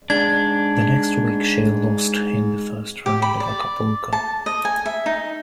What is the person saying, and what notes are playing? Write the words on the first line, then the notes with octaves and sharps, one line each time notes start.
The next week she lost in the first round of Acapulco.
G#2 D4 G#6
G4
B5
D5
A5
D#5
G#5
E5
D#4